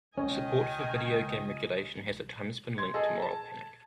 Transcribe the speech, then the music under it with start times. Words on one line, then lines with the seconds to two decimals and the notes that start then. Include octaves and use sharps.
Support for video game regulation has at times been linked to moral panic.
0.18 C#2 D#3 C#4 C#5 D#5 G#5
2.78 C6 G#6
2.94 G#4 A4 D#5
3.22 A5